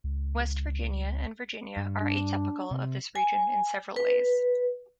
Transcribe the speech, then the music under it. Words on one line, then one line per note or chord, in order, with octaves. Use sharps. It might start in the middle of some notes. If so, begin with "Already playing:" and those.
West Virginia and Virginia are atypical of this region in several ways.
C#2
G2
D4
C3
G#5
B4